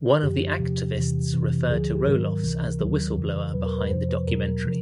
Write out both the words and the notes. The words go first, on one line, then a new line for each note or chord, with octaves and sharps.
One of the activists referred to Roelofs as the "whistleblower" behind the documentary.
F#2 D3 F3 G4
E2 C3 F3
E2 C3 E3
F2 C3 E3
D2 D3 F3 G#4
G4
G#2 D#3 F#3 A#4
C#2 C3 E3
D#2 D#3 F#3
F2 C#3 E3
E2 B2 F#3 B4
A#4
B4
F2 C3 F3 C5
B4
E2 B2 F#3 A#4
C3 F3